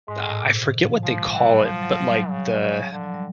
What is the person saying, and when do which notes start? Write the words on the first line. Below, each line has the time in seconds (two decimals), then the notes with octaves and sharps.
I forget what they call it, but like the
0.08 G#2 G#3
0.24 A2
0.40 A#2
0.56 C3
0.71 D#3
0.87 F3
1.03 F3 G#3
1.34 E3 G3
1.50 F#3
1.66 F3 G3
1.82 F#3
1.97 G3
2.13 F#3
2.30 C#3
2.61 C#3
2.92 D3 F3
3.03 F#3
3.14 G3